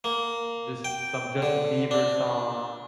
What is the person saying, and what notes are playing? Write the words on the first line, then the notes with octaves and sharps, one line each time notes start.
just some Justin Bieber song,
A#3
G5
D3
D4